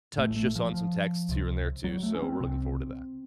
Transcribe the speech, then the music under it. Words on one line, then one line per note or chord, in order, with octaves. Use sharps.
touch just on some texts here and there too. So, we're looking forward to that.
A1 A2 A3
A3
F3
F3
C#2 C3
F#3
A3
C#4
C4
C2 C3 C4